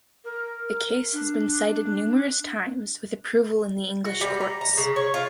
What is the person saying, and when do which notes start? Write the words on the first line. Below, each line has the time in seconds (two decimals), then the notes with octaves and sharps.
The case has been cited numerous times with approval in the English courts.
0.24 A#4
1.13 D4
4.05 F#4
4.21 G3
4.41 A#5
4.61 A#5
4.78 C#3
4.96 C#5
5.14 F4